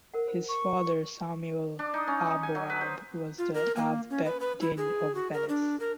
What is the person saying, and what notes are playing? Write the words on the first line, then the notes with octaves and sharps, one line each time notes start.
His father Samuel Aboab was the Av Bet Din of Venice.
A#4 C5 F#5
C5
C#6
D4
D#4
C#4
D#4
G#5
F#3
B4
C5
F4
A#4
A#3
C#4
B4
B4
E4
G#4
F#4
A#4
D4
A#4